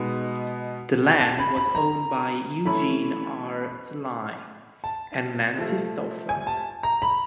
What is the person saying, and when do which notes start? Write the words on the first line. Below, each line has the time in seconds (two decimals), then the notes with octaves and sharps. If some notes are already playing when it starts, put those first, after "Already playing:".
The land was owned by Eugene R. Sly and Nancy Stauffer.
Already playing: B2 G#3 B3 D#4
1.20 A5
1.38 B5
1.56 B5
1.75 A#5
2.65 E3 A3 C#4 E4 B5
4.84 A5
5.56 C3 F3 A3
6.29 G#5
6.47 A5
6.83 A#5
7.02 B5